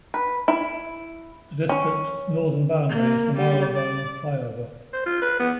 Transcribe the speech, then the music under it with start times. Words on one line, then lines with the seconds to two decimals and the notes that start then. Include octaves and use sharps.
The district's northern boundary is the Marylebone flyover.
0.14 B4
0.48 E4
1.69 C#4
2.89 A#3
3.37 G3
3.76 D5
4.93 C5
5.06 F4
5.22 B4
5.39 B3